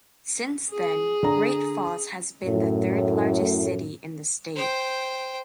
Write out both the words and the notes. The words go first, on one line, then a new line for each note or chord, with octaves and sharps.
Since then Great Falls has been the third largest city in the state.
G#4
D3 A#5
F#2 A2
C5 G5